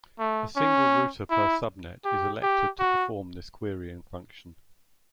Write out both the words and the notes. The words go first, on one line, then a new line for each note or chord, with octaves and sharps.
A single router per subnet is elected to perform this querying function.
A3
C#4
E4
G4
G4
F#4